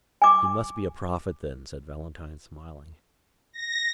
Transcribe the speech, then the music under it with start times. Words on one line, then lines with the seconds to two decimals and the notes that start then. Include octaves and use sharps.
"He must be a prophet, then," said Valentine, smiling.
0.22 G#5 D6
3.53 A#6